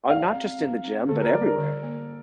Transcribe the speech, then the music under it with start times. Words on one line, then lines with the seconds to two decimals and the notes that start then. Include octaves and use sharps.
Oh, not just in the gym, but everywhere.
0.09 D5 F5
0.34 C4
0.59 C4
0.84 C4
1.08 D3 A4
1.21 A#4
1.34 G3 D5
1.46 A#4
1.58 D3
1.83 A#3